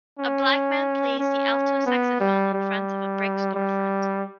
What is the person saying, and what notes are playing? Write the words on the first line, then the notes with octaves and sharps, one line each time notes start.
A black man plays the alto saxophone in front of a brick storefront.
C#4
C#4
B3
G3
G3
G3